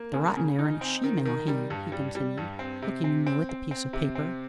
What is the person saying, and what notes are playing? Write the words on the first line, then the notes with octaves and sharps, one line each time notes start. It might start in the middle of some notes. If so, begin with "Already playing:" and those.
"The writin' air in a sheemale hand," he continued, looking anew at the piece of paper.
Already playing: A#3
C#3
C#3
D#4
C4
D#3
D#3
G3
G2
G3
G3
G2
C4
C3
C4
C4
C4
C4
C3
C4